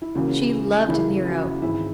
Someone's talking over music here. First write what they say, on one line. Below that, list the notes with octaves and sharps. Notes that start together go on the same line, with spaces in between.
She loved Nero.
E4
C#2 C#3 E3 A#3 F#4
C#2 C#3 E3 A#3 E4
F#4
G#1 G#2 E3 E4